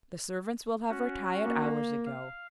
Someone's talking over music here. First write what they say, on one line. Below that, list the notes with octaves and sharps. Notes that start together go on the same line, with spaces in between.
The servants will have retired hours ago.
C#4 F#4
A#3
F5